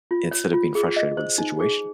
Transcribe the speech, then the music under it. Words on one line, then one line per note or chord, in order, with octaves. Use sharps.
instead of being frustrated with the situation.
F4
C#5
F4
G#4
D#5
C5
D#4
G#4